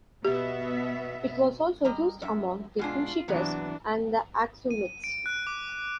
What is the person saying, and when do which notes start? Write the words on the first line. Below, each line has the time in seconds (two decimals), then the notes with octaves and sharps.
It was also used among the Kushites and the Aksumites.
0.25 B2 B3 G4 E5
1.85 G3 D#5 A#5
2.22 F#2 F#4 E5
2.79 B2 G#3 D4 F4
3.28 C3 E3 F#3 B3 D4
4.71 D#7
5.04 D7
5.26 F#6
5.47 D6